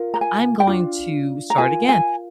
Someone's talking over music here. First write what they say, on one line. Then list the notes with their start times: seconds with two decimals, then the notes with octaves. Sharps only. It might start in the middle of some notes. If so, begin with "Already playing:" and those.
I'm going to start again,
Already playing: F4 A#4
0.14 A#5
0.21 G#5
0.60 G5
0.67 D4 F4
1.50 A#5
1.58 F4 A#4 G#5
1.89 G#5